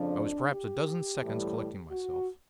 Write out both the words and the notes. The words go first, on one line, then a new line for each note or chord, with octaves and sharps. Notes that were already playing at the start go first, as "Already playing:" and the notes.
I was perhaps a dozen seconds collecting myself.
Already playing: F2 C#3 F3 D4
G4
A2 E3 G3
F#4